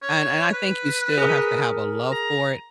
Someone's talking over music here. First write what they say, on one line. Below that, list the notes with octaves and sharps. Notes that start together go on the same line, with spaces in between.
and and I think you still have to have a love for it.
C#5
B4
G#4 A#4
A#5